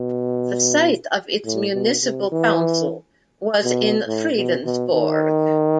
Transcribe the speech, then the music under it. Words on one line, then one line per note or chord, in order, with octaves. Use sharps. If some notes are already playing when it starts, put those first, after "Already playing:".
The site of its municipal council was in Fredensborg.
Already playing: B2
A2
B2
C3
E3
B2
A2
B2
B2
D#3